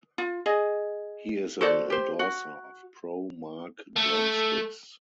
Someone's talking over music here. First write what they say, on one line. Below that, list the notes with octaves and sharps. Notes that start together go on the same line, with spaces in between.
He is an endorser of Pro-Mark Drumsticks.
F4
G#4 D#5
F#4 A4 C5 D5
G4 C5
F#4
A3